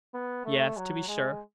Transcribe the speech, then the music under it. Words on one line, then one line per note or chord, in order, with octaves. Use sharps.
"Yes, to be sure."
B3
A3
F#3
G#3